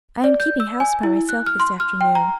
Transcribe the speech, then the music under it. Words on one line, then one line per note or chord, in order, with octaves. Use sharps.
I am keeping house by myself this afternoon.
D5
G6
E6
G#5
E4
F#6
F6
C6
F6
G5
A#5